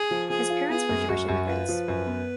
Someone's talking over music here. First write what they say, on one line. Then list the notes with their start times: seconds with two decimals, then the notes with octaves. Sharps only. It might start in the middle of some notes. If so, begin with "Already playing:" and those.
His parents were Jewish immigrants.
Already playing: G#4
0.11 F3
0.30 F3 G#4
0.50 F4
0.69 B3 G#4
0.89 F#2
1.09 F#2 F#4
1.28 F#2
1.48 F4 B4
1.68 F3
1.88 F#2
2.07 B3